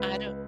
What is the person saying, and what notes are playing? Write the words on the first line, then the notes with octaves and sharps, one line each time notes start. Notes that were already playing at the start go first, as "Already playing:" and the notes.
I don't
Already playing: C#2 B4